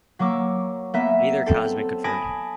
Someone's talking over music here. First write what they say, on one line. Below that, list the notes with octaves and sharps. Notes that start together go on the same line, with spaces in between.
Neither account has been confirmed.
F#3 A#3 C#6 D6 E6
A#3 B3 E5
C4 A4
G#5 A5 B5 D#6 A#6 D7